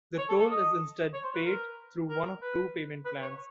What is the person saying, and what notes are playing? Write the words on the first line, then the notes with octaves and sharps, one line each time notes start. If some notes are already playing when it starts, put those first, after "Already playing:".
The toll is instead paid through one of two payment plans.
C#5
A4
A4
D#5
C#5
C5
B4
A#4
A#4
B4
B4
C#5